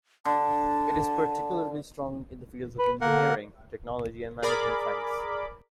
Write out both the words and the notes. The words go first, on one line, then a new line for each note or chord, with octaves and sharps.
It is particularly strong in the fields of engineering, technology and management science.
D3 A5
B4
D3 A#3 A#4 F#5
G#4 A#4 D5 B5 D6